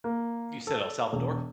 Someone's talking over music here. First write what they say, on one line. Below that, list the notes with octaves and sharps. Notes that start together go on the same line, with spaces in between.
You said El Salvador?
A#3
A4
E1